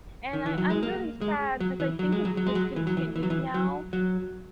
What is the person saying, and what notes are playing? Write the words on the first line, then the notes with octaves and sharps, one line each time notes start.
And I I'm really sad 'cause I think it's discontinued now.
D#3
E3
F#3
G#3
A#3
G#3
F#3
E3
F#3
G#3
F#3
F#3
G#3
F#3
E3
F#3
E3
E3
F#3
E3
F#3
F#3